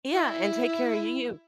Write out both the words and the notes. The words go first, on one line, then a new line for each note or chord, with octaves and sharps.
Yeah, and take care of you.
E4